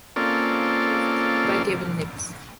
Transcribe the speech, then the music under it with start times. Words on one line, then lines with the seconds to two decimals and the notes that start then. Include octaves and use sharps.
He was succeeded by Kevin Knibbs.
0.16 A#3 C4 C#4 F4 A4 D5